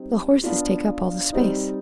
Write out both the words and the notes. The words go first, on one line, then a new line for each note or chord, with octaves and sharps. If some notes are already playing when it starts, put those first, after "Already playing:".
"The horses take up all the space."
Already playing: G3 C4 D#4
B3 D4 F4
G3 C4 D#4